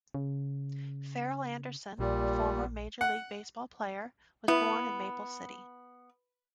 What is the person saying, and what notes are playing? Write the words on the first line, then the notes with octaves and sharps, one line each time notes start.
Ferrell Anderson, a former Major League Baseball player, was born in Maple City.
C#3
A#1 A#2 G3
F#5
B3 E4